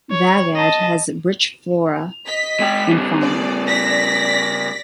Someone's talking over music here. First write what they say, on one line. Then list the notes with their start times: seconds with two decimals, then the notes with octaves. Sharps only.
Vagad has rich flora and fauna.
0.11 C#5
0.55 D#5 A5
2.26 D#5 B6
2.60 G#3 G5
2.89 C#3 G3
3.21 D5
3.67 D5 A#6 B6